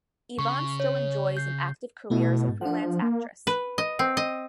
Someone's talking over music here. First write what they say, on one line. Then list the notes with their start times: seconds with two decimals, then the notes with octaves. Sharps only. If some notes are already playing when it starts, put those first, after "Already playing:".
Yvonne still enjoys an active career as a freelance actress.
0.39 C#3 C#6
0.80 C#5
1.37 G6 C7
2.10 B2 A3 B3 E4
2.48 G#2
2.61 F3 D4 F#5
3.02 A#3
3.47 B4
3.78 D#5
3.99 C4
4.17 D#5